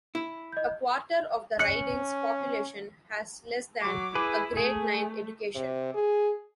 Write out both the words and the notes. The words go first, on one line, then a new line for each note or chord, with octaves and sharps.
A quarter of the riding's population has less than a Grade Nine education.
E4
D#5 G6
C#4 F#6 C#7
F#3 D6
E4 G#4 B4
A3 G#4
C3
G#4